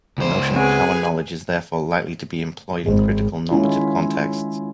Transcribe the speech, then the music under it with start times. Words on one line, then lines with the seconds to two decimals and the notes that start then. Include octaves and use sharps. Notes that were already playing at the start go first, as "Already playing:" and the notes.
The notion of power-knowledge is therefore likely to be employed in critical, normative contexts.
0.18 C#2 C5
0.56 C4 G#4 B4 G#5
2.86 G#1 G#3 C4
3.51 D#3 G#3 C#4 E4 F4